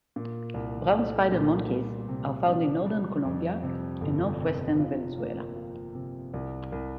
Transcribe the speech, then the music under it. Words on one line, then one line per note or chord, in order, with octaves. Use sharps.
Brown spider monkeys are found in northern Colombia and northwestern Venezuela.
A#2
C2
A3
A#2
G3
C3
D4
G3
F2
C3
G1
C3
F4
A#3
F4
C3
C2
C2